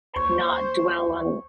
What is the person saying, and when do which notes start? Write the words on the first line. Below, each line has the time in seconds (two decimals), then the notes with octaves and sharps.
not dwell on
0.16 D#2 C5 C#5